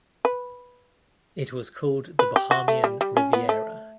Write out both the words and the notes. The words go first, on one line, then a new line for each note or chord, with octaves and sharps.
It was called the Bahamian Riviera.
B4
B4
G4
F#4
A3
G3
G3
C#4
B3
A3